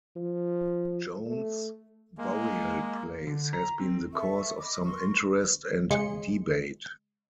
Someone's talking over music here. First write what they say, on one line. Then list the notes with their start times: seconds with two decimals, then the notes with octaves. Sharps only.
Joan's burial place has been the cause of some interest and debate.
0.16 F3
1.26 A3
2.18 G#3 A#3
3.27 D3
3.53 A#5
3.80 C4
4.12 A4 E5 C#6
4.58 D#5 B5 D6 D#6
4.85 A#4 C6 C#6
5.90 C#3 G#3 G#4 C6 C#7